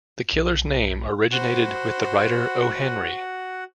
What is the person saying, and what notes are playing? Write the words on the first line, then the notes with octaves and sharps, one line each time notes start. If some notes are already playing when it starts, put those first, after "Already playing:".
The killer's name originated with the writer O. Henry.
B1
F#4 C5 F#5 B5